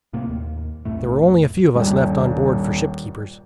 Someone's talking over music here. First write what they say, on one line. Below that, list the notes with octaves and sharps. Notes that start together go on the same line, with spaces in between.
There were only a few of us left on board for ship-keepers.
A2 C3 A#3
D#2
B1 F2 A2 A3
D#1 G2